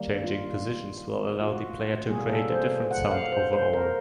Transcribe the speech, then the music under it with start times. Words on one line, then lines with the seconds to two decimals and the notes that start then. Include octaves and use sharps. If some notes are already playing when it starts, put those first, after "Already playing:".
Changing positions will allow the player to create a different sound overall.
Already playing: D#3 G3 A#3
0.24 F4
1.41 F4
1.48 F#4
2.09 B2 G3 A#3 G#4
2.29 A4
2.50 C5
2.91 F#5
3.11 F5
3.32 C5
3.53 C5
3.73 A#4